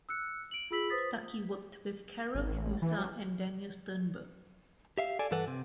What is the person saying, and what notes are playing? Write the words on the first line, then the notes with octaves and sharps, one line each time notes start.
Stucky worked with Karel Husa and Daniel Sternberg.
E6 F#6 C#7
D7 F#7
F4 G#4 B5 E6 B6 F#7
B4 C5 D#6 A6 B6
G#1
A1
E3
F#3
G4 E5 F5
A4 D5 G#5
G2 E3 A4 B4 F#5
C3